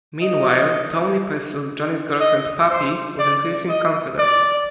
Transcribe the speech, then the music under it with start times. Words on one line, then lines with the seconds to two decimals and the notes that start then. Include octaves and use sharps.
Meanwhile, Tony pursues Johnny's girlfriend Poppy with increasing confidence.
0.22 D#5
2.20 D#5
2.70 C5
3.19 D5
3.69 D#5
4.18 D5